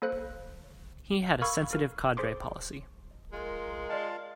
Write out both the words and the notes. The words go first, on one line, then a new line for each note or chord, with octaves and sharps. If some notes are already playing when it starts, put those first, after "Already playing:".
He had a sensitive cadre policy.
A#3 A4 C5 F#6
A#4 F5 B5 C#6 E6 G#6
A#4
G#4 C5 C6 D6
G#3 F4 A#4
F4 D5 D#5 F5 A5